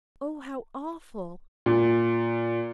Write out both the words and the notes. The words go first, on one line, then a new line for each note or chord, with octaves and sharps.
Oh, how awful!
A#2